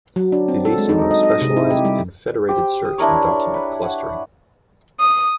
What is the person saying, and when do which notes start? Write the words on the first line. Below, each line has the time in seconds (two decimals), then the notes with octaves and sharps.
Vivisimo specialized in federated search and document clustering.
0.16 F#3
0.32 D4
0.48 C4
0.65 A4
0.78 G#3
0.89 D#4
1.11 D#5
1.23 D#5
1.42 C3
1.57 E4
1.70 G4
1.85 G3
2.49 G4 C5
2.85 D#6
2.98 D4 E4 A#4 C#5
3.54 B4
3.84 F#5
4.99 D#6